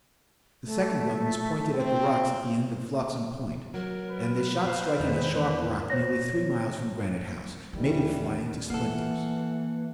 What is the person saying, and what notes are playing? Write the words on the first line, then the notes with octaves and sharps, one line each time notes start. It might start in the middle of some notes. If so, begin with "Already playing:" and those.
The second gun was pointed at the rocks at the end of Flotsam Point, and the shot striking a sharp rock nearly three miles from Granite House, made it fly into splinters.
A3
C4
F#3 A#4
B4
C5 F5
E2 D#3 G#3
C5 C#5 A#6
D#2 D#3 E3 G3
E3 A#3 F4 A4 F#5